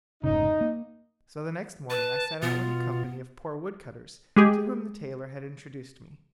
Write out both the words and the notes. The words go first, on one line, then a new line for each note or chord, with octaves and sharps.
So the next morning I set out with a company of poor wood-cutters, to whom the tailor had introduced me.
F1 G#2 C#3 D#4
A#3
B4 A5
B2 B3 F4
G#3 G4 G#4